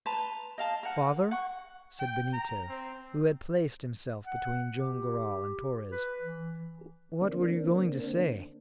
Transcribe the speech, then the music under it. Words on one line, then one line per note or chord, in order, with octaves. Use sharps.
"Father," said Benito, who had placed himself between Joam Garral and Torres, "what were you going to say?"
B4 A5 A#5 C6
D#5 F5 A5 A#5
A#4 F#5
F#5 C#6
G5
A#5
C4
F#5
G4
B4
E3
D3 A#3 C4 D4